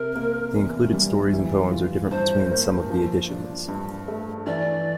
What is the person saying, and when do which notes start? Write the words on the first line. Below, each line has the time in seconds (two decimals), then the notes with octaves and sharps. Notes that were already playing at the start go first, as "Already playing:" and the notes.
The included stories and poems are different between some of the editions.
Already playing: C3 A#4
0.15 A#3
0.55 E2
0.93 G3
1.33 E3
1.72 F4
2.11 G2 C5
2.51 A#3
2.90 F3
3.30 D4
3.68 G2
4.08 A3
4.46 E3 D5